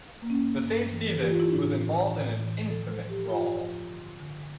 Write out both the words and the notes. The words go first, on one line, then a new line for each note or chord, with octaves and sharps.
The same season, he was involved in an infamous brawl.
A#3
G2 C#4
G2
E3
A4
E3 G4
F4
E4
A2 D4
E3
A2
E3
F3 A4
A4
F3
G4
G2 F4
F3
D3
D3